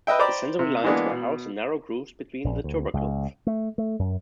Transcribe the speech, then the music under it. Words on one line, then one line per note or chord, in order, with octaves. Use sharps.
The sensory-lines were housed in narrow grooves between the tubercles.
B4 D#5 E5 G5
C5 D5 G5 A#5 B5 D6
C3
E3 G#3 A#3 B3 D4
B2
A#1
D2
C#2
A3
A3
F#2